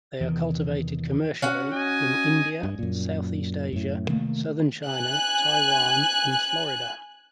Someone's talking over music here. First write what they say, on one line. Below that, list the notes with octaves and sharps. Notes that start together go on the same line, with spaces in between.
They are cultivated commercially in India, Southeast Asia, southern China, Taiwan, and Florida.
E2 C3 D#3 E3
C#4 F#4 F#5
D#5 G#5
G2
F#2 A#2
F#2 A2
C3 D#3 A3 A#3
G#5 F#6